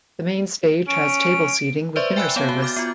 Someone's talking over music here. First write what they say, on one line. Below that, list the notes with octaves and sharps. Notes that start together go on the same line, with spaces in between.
The main stage has table seating with dinner service.
C#4 D7
B4 C5 D5 E5 C6 C#6
E5 G5 G#5 B5 E6 F#6
B3 C#5 F5 A5
F#4
D6 F6 G6 A6
B3 F4